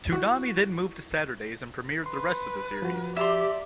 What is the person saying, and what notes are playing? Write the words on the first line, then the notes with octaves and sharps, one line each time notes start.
Toonami then moved to Saturdays and premiered the rest of the series.
E4 F#4
B4 C6
F3 F#4
G4 D5 E5 A#5 C6